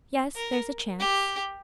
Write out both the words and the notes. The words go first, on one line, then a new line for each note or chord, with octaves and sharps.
"Yes, there's a chance."
A#4
G4